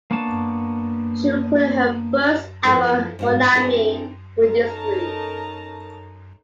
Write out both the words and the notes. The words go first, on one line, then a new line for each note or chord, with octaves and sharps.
She recorded her first album, "Monami", with this group.
A#3 B3 D4 C#5 A5
F3 E4 A4 B4
G#2 F#4 F5
C4 D4 E4 G#4 A#4
C#4 D#4 A4 A#4 A5 A#5